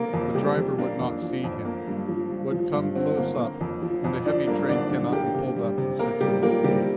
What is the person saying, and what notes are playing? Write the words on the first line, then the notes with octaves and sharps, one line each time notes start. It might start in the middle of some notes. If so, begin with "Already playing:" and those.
The driver would not see him--would come close up, and a heavy train cannot be pulled up in six hundred feet.
Already playing: C3 A#3 A#4
F2
C3 G3 G4
F2
A#3 D4
F2
F3
F2
A#3
G2
F3
G2
F3
G2
D3 C4
A#3
A#3
F2
F3
F2
F3 D4 D5
G2 A#3 A#4
D3 D4 D5
G2 D4 D5
A#3 G4 G5
C3
G3
C3
A#3 A#4 A#5
C3 G3 G4
F3 A#3 A#4
C3 G3 G4